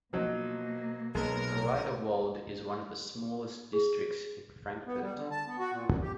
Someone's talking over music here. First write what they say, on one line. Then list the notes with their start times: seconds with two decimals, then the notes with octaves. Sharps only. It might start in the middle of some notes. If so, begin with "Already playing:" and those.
Riederwald is one of the smallest districts in Frankfurt.
0.13 B2 F3 F#3 A#3 D#4
1.15 B1 G#3 A#4
3.73 G#4
4.87 B3
5.01 G3
5.17 D3
5.31 A5
5.47 B3
5.59 F#4
5.72 A#2
5.88 F#2
6.02 G4